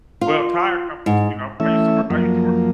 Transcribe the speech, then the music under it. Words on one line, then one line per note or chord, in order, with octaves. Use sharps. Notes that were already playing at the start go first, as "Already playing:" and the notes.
Well, tire companies, you know I used to work I used to work
F4
G#2
E3 A3 C#4 E5
F#2 F3 A#3